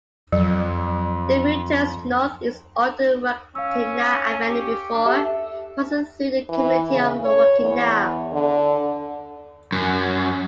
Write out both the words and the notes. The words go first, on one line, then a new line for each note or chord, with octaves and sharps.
The route turns northeast onto Waukena Avenue before passing through the community of Waukena.
F2 F#3
C#4 F5 E6
G4
D4
G4 A4 E5
E3
C#3
C#5
E2
D3
F#2